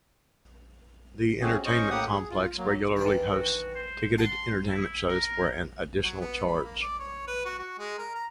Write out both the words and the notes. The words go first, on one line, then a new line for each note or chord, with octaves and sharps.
The entertainment complex regularly hosts ticketed entertainment shows for an additional charge.
A3 C4 C#4 F#4 G#4
C#4 C5 D#5 C#6
A2 A#3 G4 F#5 D#6
G#4
F4
F#3 A#3
D#3 E3 D4
F#4
C5
F#5 A5 C6
E4
A#4
F#3
B3
B5
A#3
D5
C#5
B4
F#4
F#4
G#3
A#4
A#5